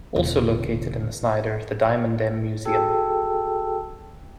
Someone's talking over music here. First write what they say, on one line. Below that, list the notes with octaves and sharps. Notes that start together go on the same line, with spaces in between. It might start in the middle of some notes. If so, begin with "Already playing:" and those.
Also located in Snyder is the Diamond M Museum.
E1 D3
F#4 G#4 A4 G5 A5 E6